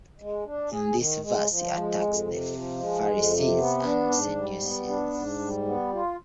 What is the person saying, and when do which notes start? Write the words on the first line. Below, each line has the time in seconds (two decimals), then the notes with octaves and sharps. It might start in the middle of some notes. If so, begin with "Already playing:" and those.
In this verse he attacks the Pharisees and Sadducees.
0.20 G#3
0.45 D4
0.71 G#4
0.97 D#3
1.23 G#3
1.50 F3
1.75 G#3
2.01 F2
2.27 C3
2.54 F3
2.79 G#3
3.06 F2
3.31 C3
3.58 B3
3.84 D4
4.10 G#2
4.35 G3
4.61 B3
4.87 D4
5.14 G#2
5.40 G3
5.66 B3
5.92 F4